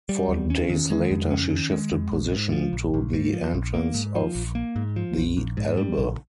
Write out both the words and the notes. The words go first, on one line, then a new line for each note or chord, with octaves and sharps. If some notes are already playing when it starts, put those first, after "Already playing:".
Four days later she shifted position to the entrance of the Elbe.
G3
D#2
C#4
D#3
G#3
F2
C#4
D#3
G#3
F2
A#1
G#2
F3
A#1
A#1
G#2
F3
A#1
A#3
G#2
F3
A#1
A#3
G#2
F3
A#1
A#1
G#2
G3
A#1